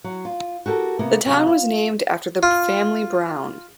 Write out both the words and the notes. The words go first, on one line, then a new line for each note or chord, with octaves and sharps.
The town was named after the family Brown.
F#3
F4
F#4 G4 A4 A#4
C3 A#3 B3
C3 F#3 F5
F4
F4